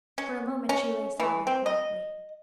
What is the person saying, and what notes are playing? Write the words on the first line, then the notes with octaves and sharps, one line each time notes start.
For a moment she lay sobbing quietly.
C#4
C#4
E3
C4
D#5